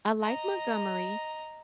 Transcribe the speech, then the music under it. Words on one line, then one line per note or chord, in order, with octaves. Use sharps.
I like Montgomery,
D#5 A#5